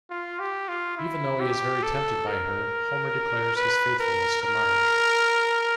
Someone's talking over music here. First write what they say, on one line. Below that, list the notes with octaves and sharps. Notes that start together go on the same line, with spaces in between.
Even though he is very tempted by her, Homer declares his faithfulness to Marge.
F4
G4
F4
E4
G4
A4
A#4
B4
A#4
A#4